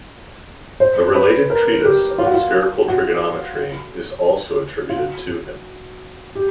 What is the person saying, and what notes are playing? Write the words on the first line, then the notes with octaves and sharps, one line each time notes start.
A related treatise on spherical trigonometry is also attributed to him.
C5
B4
A#4
G4
F4
F#4
F4
F#4
F4
F#4
G4